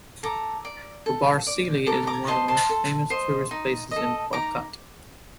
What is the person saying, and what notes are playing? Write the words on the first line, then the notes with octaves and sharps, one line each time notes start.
Gobbarsilli is one of the most Famous tourist places in Palkot.
A4 A#5 D6
D5
A4
D5
A4 A#5 D6
A#5 D6
C5 D#5 A5 C6
A5 C6
A4
C5 D#5
D#4
A4 D#5
D#4 A#5 D6